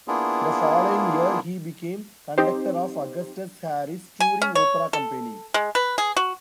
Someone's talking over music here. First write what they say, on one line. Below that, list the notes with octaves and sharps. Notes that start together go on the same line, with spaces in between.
The following year he became conductor of Augustus Harris's touring opera company.
A#3 B3 D4 E4 F4 G#4
C4 D#4 G4 C5
G#5
C#4
C#5
A4
G#3
B4
G#4
F#4